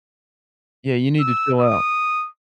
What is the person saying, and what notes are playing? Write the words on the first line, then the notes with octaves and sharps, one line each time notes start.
Yeah, you need to chill out.
E6
D#6